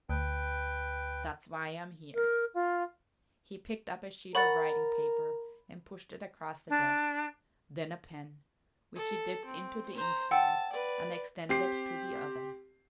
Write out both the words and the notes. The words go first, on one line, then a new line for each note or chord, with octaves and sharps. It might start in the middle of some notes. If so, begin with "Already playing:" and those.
"That's why I'm here." He picked up a sheet of writing paper and pushed it across the desk--then a pen, which he dipped into the inkstand, and extended to the other.
D2 B4 G5
A#4
F4
A#4 C#5 F#5 B5 A6
D4
A4
C4
C5 A#5
F#5 G5 A5 E6
B4 D5
C4 G4 C7